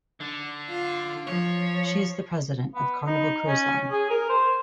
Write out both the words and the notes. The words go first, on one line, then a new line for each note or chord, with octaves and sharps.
She is the president of Carnival Cruise Line.
D3
F4
F3 C#5
B3
D#4
C#4
G#4
A#4
C5